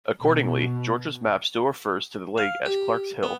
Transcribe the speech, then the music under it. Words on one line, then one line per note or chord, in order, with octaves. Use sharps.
Accordingly, Georgia's map still refers to the lake as Clarks Hill.
B2
F5
G4
B3